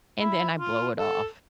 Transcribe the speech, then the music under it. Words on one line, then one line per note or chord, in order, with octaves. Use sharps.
and then I blow it off.
E4
F4
A4